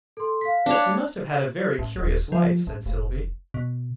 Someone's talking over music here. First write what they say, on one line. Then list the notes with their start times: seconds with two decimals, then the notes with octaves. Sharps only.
"He must have had a very curious life," said Sylvie.
0.17 A4 C6
0.41 F5 B6
0.66 D4 C#5
1.79 A1
2.00 D#1
2.32 F3
2.67 A1
2.86 F1
3.54 B2